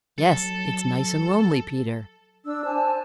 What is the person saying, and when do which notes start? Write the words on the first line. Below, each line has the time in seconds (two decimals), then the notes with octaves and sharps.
"Yes; it's nice and lonely, Peter."
0.18 F#3 A4
2.45 D4 E6
2.64 C5 G#5 A5